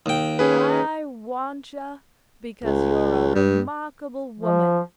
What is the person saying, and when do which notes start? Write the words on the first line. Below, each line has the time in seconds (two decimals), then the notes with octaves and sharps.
I want yah because you're a remarkable woman.
0.06 D#2 G5
0.39 C#4 G#4 B4
2.64 C#2
3.35 G2
4.40 F3